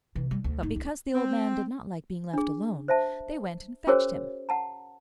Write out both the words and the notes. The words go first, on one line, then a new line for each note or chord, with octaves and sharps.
But because the old man did not like being left alone, they went and fetched him.
C3 E3
G3
D2
G#2 D#4
C#2
C4
D4 G#4
C5 E5 A5
C#4 F#4 G#4 A#4 C5 C#5
F#5 A5 A#5